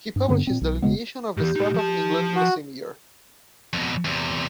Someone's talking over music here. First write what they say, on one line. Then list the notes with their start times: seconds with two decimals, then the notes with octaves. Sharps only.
He published his "Delineation of the Strata of England" in the same year.
0.16 G2
0.28 G2 D3 B3 C4
0.47 A#2 C4
0.61 B1
0.82 E1 C#3 G#3 B3
1.37 E2 G#2 G4
1.56 A2 D#4
1.74 F3 A5
2.35 F#4
3.73 F2 B2
4.05 E2 C3